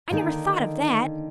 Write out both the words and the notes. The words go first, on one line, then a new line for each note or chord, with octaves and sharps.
I never thought of that.
D3 D#3 A#3 D#4